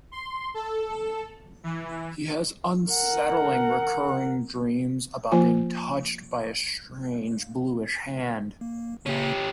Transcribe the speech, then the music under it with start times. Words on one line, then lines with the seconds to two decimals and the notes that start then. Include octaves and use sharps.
He has unsettling recurring dreams about being touched by a strange, bluish hand.
0.12 C6
0.54 A4
1.64 E3
2.91 A#4 F#5
5.32 F3 A#3 F4 C5 G#5
8.61 A#3
9.06 C#3 A#3 C#4 G4